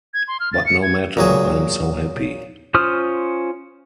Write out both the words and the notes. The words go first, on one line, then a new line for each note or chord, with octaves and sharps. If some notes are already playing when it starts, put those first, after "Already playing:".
But no matter: I am so happy.
G#6
C6
F6
A6
C#7
G#6
A#2 F#3 G#4
C#4 F4 C5 D#6 F6